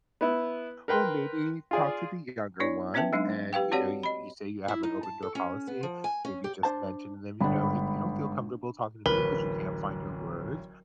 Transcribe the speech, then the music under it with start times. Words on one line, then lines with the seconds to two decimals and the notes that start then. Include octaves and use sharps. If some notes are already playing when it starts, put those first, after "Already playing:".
well, maybe talk to the younger one and, you know, you you say you have an open-door policy, maybe just mention to them, "You know, if you don't feel comfortable talking to me 'cause you can't find your words,
0.21 B3 E4
0.88 A#4 B4 G5 C6
1.71 F4 G#4 D5
2.60 B3 D4 E4 C#5 D5
2.94 B3 C#4 B4 E5 G5 A5
3.13 F#3 G#3 D4 D#4
3.53 G4 B4 F5 G5
3.72 C4 F#4 G4 C#5 D5 F#5
4.03 D#5 B5
4.68 E4
4.83 D#4
5.03 A5
5.23 A4
5.35 C#4
5.67 B3
5.83 F3
6.04 G#5
6.25 C#4
6.44 G4
6.63 D4 C5 A5
7.40 G1 G#2 D4 B5
9.06 D1 A1 A#4 B4